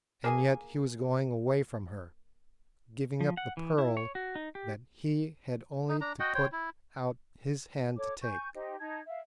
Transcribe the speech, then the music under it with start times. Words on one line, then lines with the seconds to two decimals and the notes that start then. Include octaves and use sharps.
And yet he was going away from her, giving up the pearl that he had only to put out his hand to take.
0.24 A#3 G#4 G#5
3.21 F3
3.37 F#5
3.57 E3
3.78 E4
3.97 C#5
4.15 F#4
4.35 D#4
4.55 G4
5.89 D#4
6.01 D4 A#5
6.20 F#4 D#5 F#5 G5
6.34 C5 C#5 G5
6.52 E4
7.97 A4 C#5 D6
8.22 G#5 C#6 G6
8.55 D#4 G4 C5 D#5
8.79 D#4 A5 G#6
9.08 E5 F5